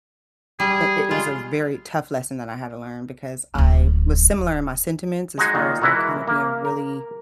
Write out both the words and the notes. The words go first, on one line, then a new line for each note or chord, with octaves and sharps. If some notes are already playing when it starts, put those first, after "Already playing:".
i it was a very tough lesson that I had to learn because I was similar in my sentiments as far as, like, kinda being really,
G3 G#4
G#3 F4
D1 G#3
G#3 D#4 F#4 G#4
A#2 D#3
E3 G#3 E4 F#4 A#4
A#3
A#4